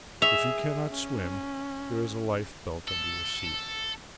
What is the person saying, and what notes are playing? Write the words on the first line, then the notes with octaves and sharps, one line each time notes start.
"If you cannot swim there is a life belt under your seat."
G#4 E5 F7
C#4
A4